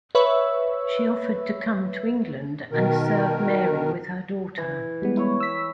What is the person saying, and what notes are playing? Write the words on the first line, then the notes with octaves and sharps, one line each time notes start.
She offered to come to England and serve Mary with her daughter.
B4 C#5 E5 B5 C#6 E6
B2 D#3 A#4
E3
G3 G#3 B3
E4 C#5
E6 B6